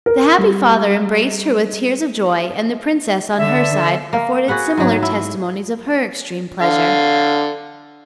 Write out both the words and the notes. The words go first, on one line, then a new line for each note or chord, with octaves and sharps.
The happy father embraced her with tears of joy; and the princess, on her side, afforded similar testimonies of her extreme pleasure.
A#4
G3
D3 E5
A#3
F#4 G#4 B4 F#5
G#2 F#3
E4
D3 F5